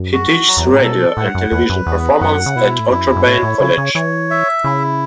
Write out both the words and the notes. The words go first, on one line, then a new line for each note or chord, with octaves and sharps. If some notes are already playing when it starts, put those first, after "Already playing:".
He teaches radio and television performance at Otterbein College.
Already playing: F#2
F#4
F#3
E2
F#2
A2
B2 A4
A2 F#5
F#2
E2 B4
F#2
E2 B3
F#2 F#5
C#3
B2 E4
A2
F#2 E4
E2
F#2
A2 C#5
A2
C#3 C#5
C#3
E3 C#5
E5
C#3 E4